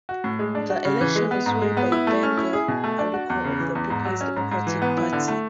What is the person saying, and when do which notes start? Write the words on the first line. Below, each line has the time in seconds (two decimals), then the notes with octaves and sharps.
The election was won by Gbenga Aluko of the Peoples Democratic Party.
0.09 F#4
0.24 A2
0.39 G#3
0.55 D4
0.70 F#4
0.85 C#3
1.01 E3
1.16 G#3
1.31 B3
1.46 G#2
1.62 G#3
1.77 B3
1.92 E4
2.07 A3
2.23 C#4
2.37 E4
2.53 G#4
2.68 B2
2.84 A3
2.99 D4
3.14 F#4
3.30 E2
3.45 C#3
3.60 E3
3.75 E2
3.90 G#2
4.05 F#3
4.21 C#4
4.36 G#2
4.51 G#2
4.67 E3
4.82 B3
4.98 E4
5.13 D3
5.28 A3